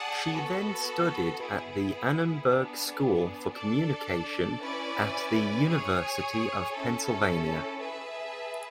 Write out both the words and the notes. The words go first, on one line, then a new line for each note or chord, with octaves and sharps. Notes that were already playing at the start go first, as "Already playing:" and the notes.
She then studied at the Annenberg School for Communication at the University of Pennsylvania.
Already playing: G#4 D5 F#5 A5
B3 F#4 A4
B3 E4 G#4
B3 D4 G#4
D4 A4 D5 A5
C#4 E4 B4 D5 G#5
G#4 C#5 G#5
C#4 E4 A4
G#4 B4 E5 A5